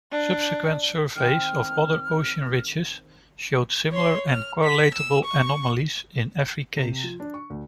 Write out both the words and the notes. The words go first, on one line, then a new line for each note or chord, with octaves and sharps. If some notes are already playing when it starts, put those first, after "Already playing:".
Subsequent surveys of other ocean ridges showed similar and correlatable anomalies in every case.
D4
D#3 C4 F6
C#5 C6
F6
B6
E6
C#6
C3
F3
D4
C#6
D2